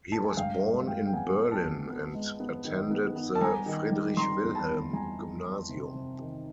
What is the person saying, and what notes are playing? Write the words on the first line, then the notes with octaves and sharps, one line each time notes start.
He was born in Berlin, and attended the Friedrich-Wilhelm gymnasium.
A5
G#5
G2 F5 G5
G#3
G2 F5 G5
G5
B3 F#5 G#5
B3
G5 A5
B3
B3
G#3
B3
D#3
B3
B3
A5
G3 G#5 A#5
D#3
G3
G3 A#5 C6
E2
A5 B5
E2
G3 G#5 A#5
E2
E2
C3
C3
D#3